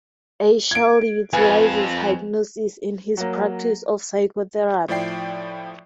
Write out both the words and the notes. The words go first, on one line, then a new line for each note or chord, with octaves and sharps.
Eichel utilizes hypnosis in his practice of psychotherapy.
G#6 D7
F2 B4 G#5
F#3 A#3
A2 F3 E4 D5 G5 C7